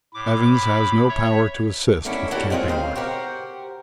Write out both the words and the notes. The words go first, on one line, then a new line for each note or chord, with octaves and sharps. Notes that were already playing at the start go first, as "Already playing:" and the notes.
Evans has no power to assist with camping work.
A2 B5 D6
C#5 E5
D3 D#3 A3 C#4 D4 E4
D4 E4 F#4 G4 A4 C#5
G#3 A#3 C4 F4 G#4
F2 C#3 C5 F5
F#4 G4 A#4 C5